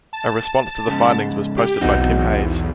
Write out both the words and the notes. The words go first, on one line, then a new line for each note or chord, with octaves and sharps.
A response to the findings was posted by Tim Hayes.
A5
G#2 C#3
G4
B1 E2 C4 D#4 F#4